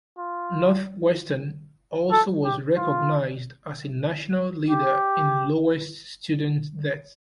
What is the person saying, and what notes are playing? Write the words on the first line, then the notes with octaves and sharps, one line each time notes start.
Northwestern also was recognized as a national leader in lowest student debt.
F4
A4
G4
F4
G4